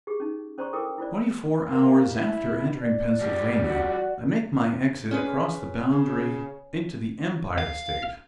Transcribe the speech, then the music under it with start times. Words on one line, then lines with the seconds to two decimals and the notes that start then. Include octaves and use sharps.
Twenty-four hours after entering Pennsylvania I make my exit across the boundary into the Empire State.
0.07 G4 G#4
0.20 C#4 D#4
0.58 C#4 C5 D5 A#5 C6 C#6
0.73 E4 A4 A#4 G5 D6 D#6
0.98 E4 F4 C5 D5
1.69 A#3
2.14 E4
2.81 D5
3.21 F3 G3
3.64 F#4
5.11 C#4 G#4 B4
5.90 C#3
7.58 F5